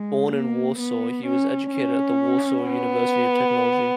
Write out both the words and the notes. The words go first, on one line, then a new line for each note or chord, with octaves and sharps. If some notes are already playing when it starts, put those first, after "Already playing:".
Born in Warsaw, he was educated at the Warsaw University of Technology.
Already playing: G#3
A#3
B3
C#4
C#4
B3